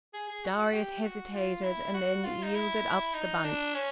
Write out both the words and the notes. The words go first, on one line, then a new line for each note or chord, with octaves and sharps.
Darius hesitated, and then yielded up the bunch.
G#4
G#4
F#4
F#4
G4
F#4
F4
E4
F#4
F4
D#4
E4
D#4
D4
C#4